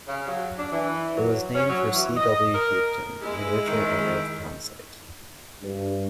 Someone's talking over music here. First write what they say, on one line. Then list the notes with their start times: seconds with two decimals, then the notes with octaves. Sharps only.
It was named for C. W. Houghton, an original owner of the town site.
0.08 C#3
0.28 F#3
0.59 D4
0.72 E3
1.17 F#3
1.55 C#4
1.70 F#3
1.93 E3
2.17 D#5
2.55 A#4
3.21 G#3 E4
3.67 D#3
5.63 G2